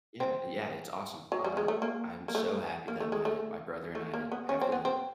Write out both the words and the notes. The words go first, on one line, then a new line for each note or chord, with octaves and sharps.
Yeah, yeah, it's awesome. Uh, I'm so happy that my my brother and I have the
C4
F#3
G3
G#3
A3
A#3
A#3
A3
A#3
A3
G#3
A3
A3
A#3
B3
C#4
C4
B3
C4